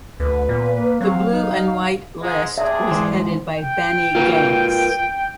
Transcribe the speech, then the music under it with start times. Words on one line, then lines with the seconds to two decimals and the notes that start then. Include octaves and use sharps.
The Blue and White list was headed by Benny Gantz.
0.20 D2 B4
0.49 A#2 B3
0.69 A#3
1.01 F#3 C4 F5
1.26 D#4
2.20 G#2 G#3
2.58 C3 D4 G#4 E5
2.91 G#2 E3 C5
3.55 G5
4.15 F4 A#4 B4